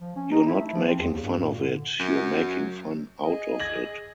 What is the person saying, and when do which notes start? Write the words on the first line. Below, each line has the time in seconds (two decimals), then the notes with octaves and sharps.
You're not making fun of it; you're making fun "out" of it.
0.01 F3
0.16 C#4
0.32 D#4
0.47 E4
0.60 A3
0.73 F3
0.87 C4
0.99 E2
1.12 D#2
1.24 G2
1.43 A#2
1.58 D3
1.98 F#2
3.24 G#4 D#5
3.60 G#6 A#6 F#7